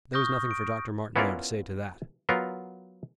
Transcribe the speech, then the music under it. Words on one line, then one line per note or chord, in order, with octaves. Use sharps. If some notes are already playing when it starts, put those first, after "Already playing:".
There was nothing for Dr. Martineau to say to that.
C#6 D#6 F6 G6 A#6
D7
B3 C#4 E4 F4 A#4 D5
F#3 B3 F4 A#4